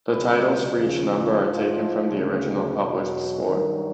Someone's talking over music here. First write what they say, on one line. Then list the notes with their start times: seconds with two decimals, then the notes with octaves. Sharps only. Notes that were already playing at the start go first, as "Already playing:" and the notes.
The titles for each number are taken from the original published score.
0.11 C#2 B2 F#3 B4
0.78 D#2 C#3 F3
1.44 G#2 F3 C5
2.11 D2 C#3 F#3
2.78 E2 B2 F#3 B4
3.44 G2 D#3 F#3 A#4